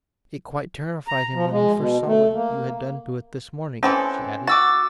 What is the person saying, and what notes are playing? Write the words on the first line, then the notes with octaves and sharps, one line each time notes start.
"It quite terrified him when he first saw what you had done to it this morning," she added.
A#5
F3
G#3
B2
A3
A#3
E3 C4 C#4 A4
F#4 D6 E6 A6